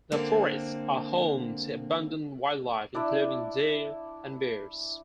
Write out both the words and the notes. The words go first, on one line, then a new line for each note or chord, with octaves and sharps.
The forests are home to abundant wildlife, including deer and bears.
D3 A#3 C4
D4 E4 D5 E5